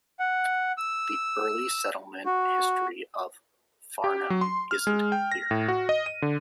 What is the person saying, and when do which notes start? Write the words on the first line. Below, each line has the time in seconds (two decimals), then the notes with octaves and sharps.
The early settlement history of Farnham isn't clear.
0.19 F#5
0.78 E6
2.26 F#4
4.04 G4
4.30 F#3
4.41 C6
4.71 F6
4.87 G#3
5.12 G5
5.32 A#6
5.51 A2
5.68 F#4
5.89 D#5
6.06 D#7
6.22 D3